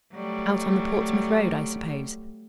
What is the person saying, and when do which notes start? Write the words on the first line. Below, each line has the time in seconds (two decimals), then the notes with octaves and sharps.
"Out on the Portsmouth Road, I suppose?"
0.14 F#3 G3 A3